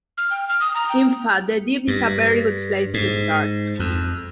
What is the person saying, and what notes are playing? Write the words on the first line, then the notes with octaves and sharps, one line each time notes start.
In fact, the Deep is a very good place to start.
F6
G5
F6
D#6
A#5
G5
G2
G#2
F2